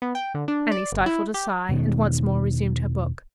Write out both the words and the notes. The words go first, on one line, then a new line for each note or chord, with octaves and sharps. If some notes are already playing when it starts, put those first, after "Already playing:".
Annie stifled a sigh, and once more resumed her book.
B3
G5
D3
D4
D5
G1
E4
G4
E1 B2 D#3